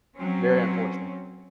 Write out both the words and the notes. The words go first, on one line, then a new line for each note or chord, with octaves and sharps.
Very unfortunate.
F#3 C4 C#4